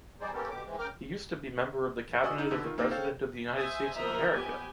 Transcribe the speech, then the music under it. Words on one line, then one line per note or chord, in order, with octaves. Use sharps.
He used to be member of the Cabinet of the President of the United States of America.
G3 D#4 G#4 C5 D5
A#3 B3 C#4 G4 A4 A#4
B2 D3 G4 D6
G#2 E3 G#3 C4
C#3 A#4 G5 D6 F6
F#4 D5 D#5 G#5 D#6 E6
D#4
B2 D3
D#3 F4
A#3 C4 D#4 F4
A4 C5 C#5 F5 G5
C5 D#5 E5 G#5
F3 B3 A#4 D#5 E5 A#5
B3 G4 G#5